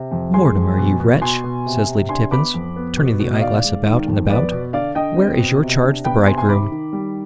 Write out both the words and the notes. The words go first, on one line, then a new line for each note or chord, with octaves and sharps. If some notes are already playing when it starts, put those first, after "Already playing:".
'Mortimer, you wretch,' says Lady Tippins, turning the eyeglass about and about, 'where is your charge, the bridegroom?'
Already playing: C3
F2
G#3 G#5 C6
F2
B2
B2
B2 G#5 C6
B2
C3
C3
D4 G#5 C6
B3 B5 D6
F2
B3
B2
B2
D#5
D#3 D5 F5
G#2
D#3
F2
B3 B4 D5
B2
D3 D5 F5
D3 D#5 G5
C4
B2
C3
D4
B3 G5 B5
C3 G#5 C6
G#5 C6
D#3 B5 D6
D#3
G3